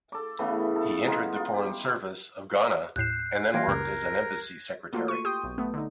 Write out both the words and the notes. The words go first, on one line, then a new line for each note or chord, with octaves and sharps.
He entered the foreign service of Ghana and then worked as an embassy secretary.
A4 D6
C#3 E3 A3 B3
A4
G#3 D#4 F4 F#5
F4
G4
D#2 A2 F#6 G6 C7 E7
E3 A#3 F4 G5 G#6 A#6
C#2 F#2 C#3 A#4
A3 A#3 F4 F#4 A4
C#6 D#7
G4 G5 C6 D#6 G6
B1
A3 B3
D3 D#4